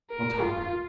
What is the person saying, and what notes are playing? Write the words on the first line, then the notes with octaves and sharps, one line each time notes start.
I'll talk with him.
A#4
F4